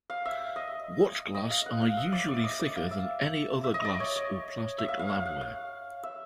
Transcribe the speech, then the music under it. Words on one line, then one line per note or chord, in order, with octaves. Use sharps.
Watch-glass are usually thicker than any other glass or plastic lab-ware.
F5
E5
D#5
D#5
F5
F#5
F5
E5
D5
D5
D#5
D5
F5
E5
E5
D#5
D5
C#5
D#5
E5
F5
F5
F5
F#5
F5
E5